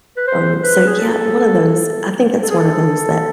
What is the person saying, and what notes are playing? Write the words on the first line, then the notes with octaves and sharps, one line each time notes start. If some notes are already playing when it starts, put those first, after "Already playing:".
Um, so, yeah, one of those I think that's one of those that
B4
C5
B4
G#4
A4
A4
G#4
A4